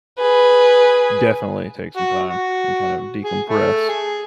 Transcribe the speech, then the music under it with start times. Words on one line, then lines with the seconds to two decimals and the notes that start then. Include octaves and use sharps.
definitely take some time and kind of decompress,
0.18 G#4 B4
1.97 F#4
2.30 F#4
3.25 G#4
3.50 A3
3.89 G#4